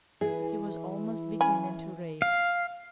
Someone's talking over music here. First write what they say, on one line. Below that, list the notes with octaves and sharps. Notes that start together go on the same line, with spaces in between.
He was almost beginning to rave....
E3 G#4
C#4 G#5 B5
F5